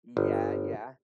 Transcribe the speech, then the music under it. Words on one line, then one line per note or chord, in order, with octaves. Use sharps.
Yeah, yeah.
G1